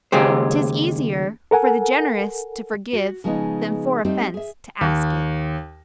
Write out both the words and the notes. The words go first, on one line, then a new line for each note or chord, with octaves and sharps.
"Tis easier for the generous to forgive, Than for offence to ask it."
D#2 C#3 G#3 G4 C5
A4 A#4 F#5 G#5
F#4
C#3 F3 G#3 B3 D4 D#4
G3 A3 C4 D#4 G4 C5
G#4 E5
D#2